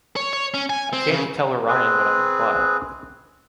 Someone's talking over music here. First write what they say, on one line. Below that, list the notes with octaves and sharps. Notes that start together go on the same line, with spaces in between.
I came to tell Orion what I implied.
C#5
C#5
C#4
G#5
C4
C#3
C4 G#4 B4